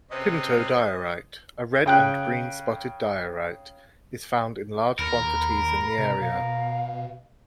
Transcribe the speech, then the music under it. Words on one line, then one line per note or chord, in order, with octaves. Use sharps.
Pinto diorite, a red-and-green spotted diorite, is found in large quantities in the area.
C3 C#4 B4 C5 D#5
C#3 G5 F#6
D#2 A#4 B5
C3
B2 F5